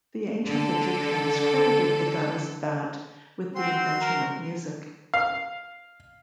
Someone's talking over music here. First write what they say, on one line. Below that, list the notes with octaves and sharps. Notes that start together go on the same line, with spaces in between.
The ancient Egyptians credited the goddess Bat with the invention of music.
D3 A4
C4 F#4 C6
A#4
F5